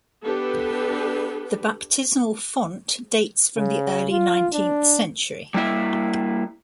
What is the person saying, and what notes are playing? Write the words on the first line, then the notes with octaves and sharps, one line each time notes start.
The baptismal font dates from the early nineteenth century.
B3 D4 G4 A4 B4
C#3
F4
D4
G3 A#3 E4 E5